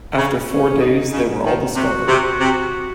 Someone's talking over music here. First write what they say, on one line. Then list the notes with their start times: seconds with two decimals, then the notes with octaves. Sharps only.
After four days they were all discovered.
0.18 C#3
0.49 C#4
0.81 D#4
1.13 C#3
1.45 D#3
1.76 C3 F#4
2.08 C3
2.40 C3